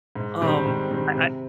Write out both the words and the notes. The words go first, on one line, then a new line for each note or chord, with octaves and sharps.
Um, I
G#2
D#3 G3 C4
G#2
D#3 G3 C4
C3